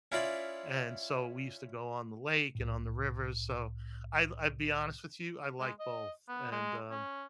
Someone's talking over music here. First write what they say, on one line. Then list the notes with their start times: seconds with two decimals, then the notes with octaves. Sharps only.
and so we used to go on the lake and on the river, so I I'll be honest with you, I like both, and, um
0.12 C#4 E4 F4 D5 B5
2.55 C2 A2
5.60 G#3
5.79 D#5
6.28 B3
6.52 G#3
6.91 C#4